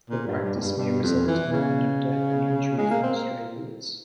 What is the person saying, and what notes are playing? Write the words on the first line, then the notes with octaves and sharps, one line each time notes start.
The practice may result in random death and injury from stray bullets.
A#2
G2
G2
G#2
G2
G2
F2
E3
C#3
G#3
A#3
C4
A#3